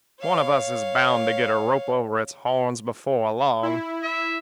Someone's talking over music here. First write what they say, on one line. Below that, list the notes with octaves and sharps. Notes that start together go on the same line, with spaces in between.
One of us is bound to get a rope over its horns before long.
C#5 F5
E4
E5